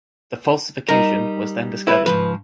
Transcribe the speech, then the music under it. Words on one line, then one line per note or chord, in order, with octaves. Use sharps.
The falsification was then discovered.
G3 D#4 A#4
E4 B4
G#2 C#3 F3 B4